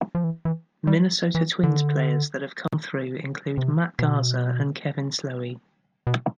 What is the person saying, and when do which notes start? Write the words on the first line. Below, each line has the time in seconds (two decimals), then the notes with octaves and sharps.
Minnesota Twins players that have come through include Matt Garza and Kevin Slowey.
0.15 F3
0.24 E3
0.45 E3
0.87 G3
1.35 E3
1.63 D3
3.57 C3
3.99 B2
6.07 B2